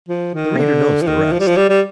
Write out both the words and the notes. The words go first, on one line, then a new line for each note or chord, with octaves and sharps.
The reader knows the rest.
F3
D#3
C3
D3
F3
D#3
F3
G3
F3
G3
G3